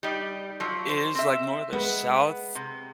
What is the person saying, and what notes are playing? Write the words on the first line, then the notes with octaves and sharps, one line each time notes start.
is, like north or south.
G3 D#4 D5
F3 F#3
C5
C4 E5
G#3 B3 B4
C3